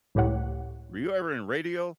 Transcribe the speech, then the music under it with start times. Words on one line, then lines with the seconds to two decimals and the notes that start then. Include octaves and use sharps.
were you ever in radio?"
0.15 C#2 A2 G4 C#5 F#5